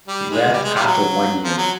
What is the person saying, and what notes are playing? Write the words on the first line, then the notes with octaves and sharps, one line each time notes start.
He left after one year.
G3
G#3
G3
G#3
G3
F#3
F3
F#3